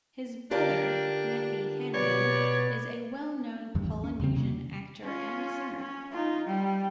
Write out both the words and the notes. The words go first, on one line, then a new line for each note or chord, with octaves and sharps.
His brother Nephi Hannemann is a well known Polynesian actor and singer.
D3 D4 F4 G4 A#4
B2 B3 B4 C#5 D5
E2 G2 D#3
A1
C#4
E2 C#3 C4
C3 D#3 A#3 C#4
C#4 F4
C#4
D#4 F4
G3